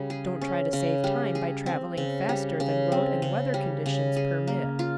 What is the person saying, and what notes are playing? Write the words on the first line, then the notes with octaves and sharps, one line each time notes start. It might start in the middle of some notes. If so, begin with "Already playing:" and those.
Don't try to save time by travelling faster than road and weather conditions permit.
Already playing: C#3 G3
G#4
C#4
C#3
G3
G#4
C4
C#3
G3
C#3
C4
C#3
G3
C#3
G#4
A#3
F4